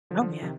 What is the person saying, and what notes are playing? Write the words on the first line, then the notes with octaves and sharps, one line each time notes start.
Oh, yeah.
D3 F3
D3 F3
D3 F3
C3 D#3